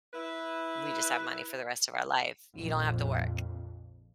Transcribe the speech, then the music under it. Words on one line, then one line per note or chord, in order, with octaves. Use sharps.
we just have money for the rest of our life, you don't have to work."
E4 B4
A#1 F2 A#2